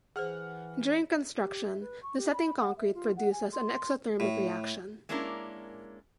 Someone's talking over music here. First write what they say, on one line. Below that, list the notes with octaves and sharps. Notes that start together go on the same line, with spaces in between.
During construction, the setting concrete produces a exothermic reaction.
E3 G#4 C5 F#5 F6
G4
E5
B4
C#6
G4
B5
F#5
E5
F4
F#5
G#5
C6
A2
G#3 A#3 C#4 D4 E4 A#4